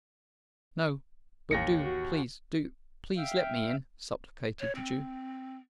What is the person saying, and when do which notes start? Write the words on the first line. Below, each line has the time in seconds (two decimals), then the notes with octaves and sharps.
"No; but do, please--do, please, let me in," supplicated the Jew.
1.51 A1 D#2 A#6 C#7
1.84 F#4
3.17 E5 F5 G5
4.60 C#5
4.75 C4